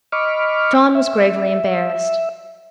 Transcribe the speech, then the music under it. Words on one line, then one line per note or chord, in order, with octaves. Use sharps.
John was gravely embarrassed.
D#5 B5 C#6 D6 F6
E5